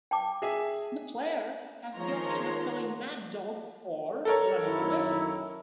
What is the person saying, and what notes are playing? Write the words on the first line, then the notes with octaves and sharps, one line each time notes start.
The player has the option of killing Mad Dog or running away.
G5 A5 D6
G#4 E5
D#3 F3 G#3 C#5 A#5 C6
A4 A#4 C#5
F#2 D#3 E4